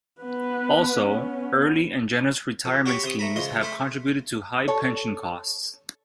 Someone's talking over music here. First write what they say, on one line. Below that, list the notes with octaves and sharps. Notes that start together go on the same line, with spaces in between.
Also, early and generous retirement schemes have contributed to high pension costs.
B3 B4
B3 C#4
F2
F#4 G4 C#5 G5 B5
C3 C6 D#6
A3 A#5 B5
C#2 F3 D#5 C6
A3 C5 B5
A4 C#5